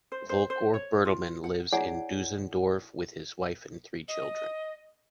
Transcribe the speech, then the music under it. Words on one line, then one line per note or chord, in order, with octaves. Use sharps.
Volker Bertelmann lives in Düsseldorf with his wife and three children.
C5
C5
C5
C#5
F4
F#5
E4 G#4 C#5 D5 F#5 G#5
D#5